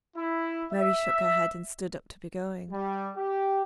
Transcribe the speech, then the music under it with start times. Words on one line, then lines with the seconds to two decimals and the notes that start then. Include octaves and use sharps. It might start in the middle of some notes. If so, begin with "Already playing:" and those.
Mary shook her head, and stood up to be going.
0.16 E4
0.73 E5
2.71 G3
3.16 G4